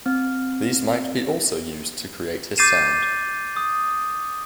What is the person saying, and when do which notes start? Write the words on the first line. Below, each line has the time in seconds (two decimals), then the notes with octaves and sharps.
These might be also used to create his sound.
0.06 C4
2.58 D6 G6 A6 C7 D#7 E7
3.57 D#6